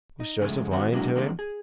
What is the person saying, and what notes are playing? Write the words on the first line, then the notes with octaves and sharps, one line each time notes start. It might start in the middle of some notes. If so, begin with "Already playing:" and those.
Was Joseph lying to him?
D#4
G#2 C#3 F3 G#3 A3 G#4
D#3 C4 F#4 C5 F#5
F#3 G#3 A#3 D4 E4 F#4
D#3 G3 G#3 A#3 C4 D4
G#4